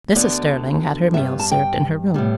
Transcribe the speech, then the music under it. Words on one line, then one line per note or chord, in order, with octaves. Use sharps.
Mrs. Sterling had her meals served in her room.
D2 D3 B3 D5
G2 G3 B3 E5
A5
G5
A2 G3 B3